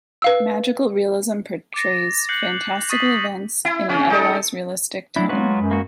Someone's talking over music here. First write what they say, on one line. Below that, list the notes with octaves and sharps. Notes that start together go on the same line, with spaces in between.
Magical realism portrays fantastical events in an otherwise realistic tone.
B4 F5 E6
D6 A6 A#6
F#6 G6 C7 C#7 F#7
C#6 D#6 A6 B6 C7 F#7
E4
C#3 C#4
G#3 D#4 A4
F#3 D4 E4
F#3 G#3 F4 F#4 B4
F#2
A#3 F#4